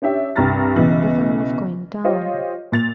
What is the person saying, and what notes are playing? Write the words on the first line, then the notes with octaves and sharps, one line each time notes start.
The sun was going down.
C#4 D4 G4 E5
C2 G2 A#5 F6 A6 A#6
B1 C#3 E3
F4 G4 C5 C#5 D#5
A#2 A6 F7